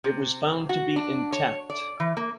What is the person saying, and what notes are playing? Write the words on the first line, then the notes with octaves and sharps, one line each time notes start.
It was found to be intact.
C3
F#4
D4
C#5
D5
E3
A#3